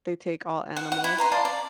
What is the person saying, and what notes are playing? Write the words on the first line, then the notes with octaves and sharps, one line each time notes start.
they take all animals.
F#5
F#5
E4
B4 A#5 C6
D5 F5 A5 C6
D5